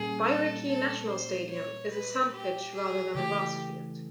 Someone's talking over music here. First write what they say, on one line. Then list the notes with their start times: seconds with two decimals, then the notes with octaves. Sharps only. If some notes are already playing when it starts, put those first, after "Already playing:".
Bairiki National Stadium is a sand pitch rather than a grass field.
Already playing: A#2 G3 A#3 C#4 G#4
0.26 A4
0.67 A4
1.09 C5
1.50 C#5
1.92 B4
2.32 G4
2.74 G#4
3.15 C#3 E3 A3 G4